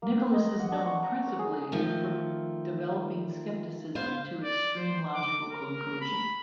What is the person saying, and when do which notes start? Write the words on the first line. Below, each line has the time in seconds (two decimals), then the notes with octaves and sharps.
Nicholas is known principally for developing skepticism to extreme logical conclusions.
0.02 A#3
0.21 C4
0.33 D#5
0.59 F#5
0.72 D4
0.86 C#6
1.03 A#5
1.27 C#5
1.39 G#4
1.72 D#3 F3 A3
3.95 B3 C5 F5
4.43 D5
4.77 C5
5.14 D6
5.51 A#4
6.01 B5